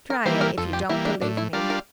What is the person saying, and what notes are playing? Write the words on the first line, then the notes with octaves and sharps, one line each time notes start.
Try it, if you don't believe me.
A#4
E3 G3 A#3 C5
A#4
F2 A4
G4
E3 G3 A#3 E4
D4
A2 D4
E4
G3 D4 F4 A#4
A#4